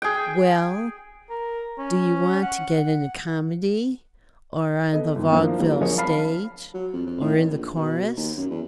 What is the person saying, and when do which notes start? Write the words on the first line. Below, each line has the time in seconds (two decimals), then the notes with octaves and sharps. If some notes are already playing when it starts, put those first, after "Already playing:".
"Well, do you want to get in a comedy or on the vaudeville stage or in the chorus?"
0.02 G#4 G5
1.30 A#4
1.78 C#4
2.42 F#5
2.78 F#5
4.93 B3 A4 D#5
5.15 G1 D#3
5.32 F3 A#3 D4 E4 C5 F5
5.58 D#3 F#3 G3 A#3 E4 F4
5.80 D3 F3 G#4 A#4 C#5
5.98 F5 A5 B5 F6 C7
6.74 F#3
6.93 F2
7.06 F2
7.21 A2
7.36 D#3
7.51 A#1
7.76 B2
8.17 D#2
8.38 F#2
8.51 E2